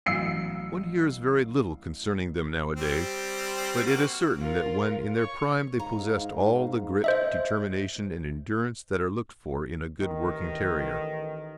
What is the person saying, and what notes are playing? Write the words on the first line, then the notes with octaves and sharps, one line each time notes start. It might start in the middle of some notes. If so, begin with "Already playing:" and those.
One hears very little concerning them nowadays, but it is certain that when in their prime they possessed all the grit, determination, and endurance that are looked for in a good working terrier.
A1 F#3 F5 E6 C7 C#7
G3 C4
A#3 F#4
F4 A#4
C#5 C#6
G#2 D#4 F5 A#5
C5 D#5 E5
A1 D#3